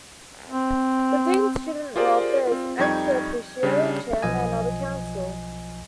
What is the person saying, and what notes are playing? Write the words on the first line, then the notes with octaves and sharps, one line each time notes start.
The Dean Student Welfare is "ex officio" Chairman of the Council.
C4
F4 G4 G#4 A#4 C5 D5
C4 F4
F2 G3 D#4 G5 C#6 G#6
C#3 G3 D4
B1 F3 D#5 G#5